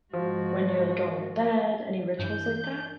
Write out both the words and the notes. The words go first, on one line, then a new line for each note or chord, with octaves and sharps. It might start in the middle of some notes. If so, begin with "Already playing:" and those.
when you're, like, going to bed? Any rituals like that?
G#2 F3 F#4
G2 E3 G6